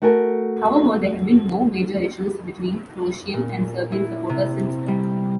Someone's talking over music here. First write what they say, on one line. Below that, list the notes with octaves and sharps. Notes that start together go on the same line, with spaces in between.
However, there have been no major issues between Croatian and Serbian supporters since then.
A3 F#4 A4 A#4 G#5
A#2
E4
C3
G3